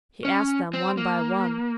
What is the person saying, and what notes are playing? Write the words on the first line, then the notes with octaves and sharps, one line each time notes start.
He asked them one by one.
C#4
C4
A#3